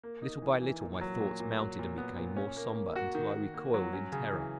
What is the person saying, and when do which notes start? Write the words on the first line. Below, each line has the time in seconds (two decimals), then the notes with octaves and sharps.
Little by little, my thoughts mounted and became more somber until I recoiled in terror.
0.04 A#3
0.22 D#4
0.42 E3
0.61 E3
0.81 A#2
1.01 F#3
1.20 A#2
1.40 A#2
1.59 F#3
1.79 A#2
1.98 B3
2.17 A#2
2.37 C#4
2.57 A#3
2.76 A#3
2.96 F#4
3.15 D#3
3.34 D#3
3.54 A#3
3.74 F#3
3.93 C#4
4.12 C#3
4.32 E3